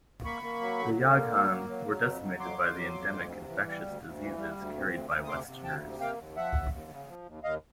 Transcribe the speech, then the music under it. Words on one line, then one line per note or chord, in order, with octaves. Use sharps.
The Yaghan were decimated by the endemic infectious diseases carried by Westerners.
A#3 B5 C#6
A#3
F#3
D3
D3
A#3
F#3
A#3
F#3
F#3
F2
F#3
F2 C6 D6
F2
F#3
F2
D2
C3
E3
G3
D2
D2
E3
G3
D2
C3
D2
D2
D#6
C3 C6 D6
C3
D2 G5 A5
C3
A#3 F5 G5
D#2
F3 E5 F#5
D#2
D#2
C#3
F3
D#2
D#2 D#5 F5